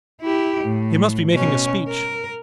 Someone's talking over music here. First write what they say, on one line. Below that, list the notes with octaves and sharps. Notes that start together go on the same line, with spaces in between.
He must be making a speech.
E4 G4
A2
B2 C#4
A#4